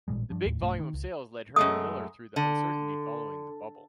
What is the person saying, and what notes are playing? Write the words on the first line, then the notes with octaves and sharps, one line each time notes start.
The big volume of sales led Herman Miller through the uncertainty following the bubble.
A1 A#2 G3 G#3
G2 F3
D#2 A2
B1 G2 A3
D#3
C#2
F#2 G#3 A3 D#6
D3